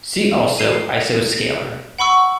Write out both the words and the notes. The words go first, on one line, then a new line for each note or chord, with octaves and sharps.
See also Isoscalar.
A4 C7 D#7
F#5 B5 C#6 E6